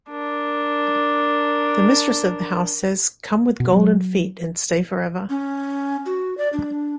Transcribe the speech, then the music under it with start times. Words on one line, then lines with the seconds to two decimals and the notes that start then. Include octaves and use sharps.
The mistress of the house says "come with golden feet and stay forever."
0.11 D4 A#4
3.60 B2
3.73 F#3
5.30 C#4
6.06 F#4
6.38 D5
6.53 D4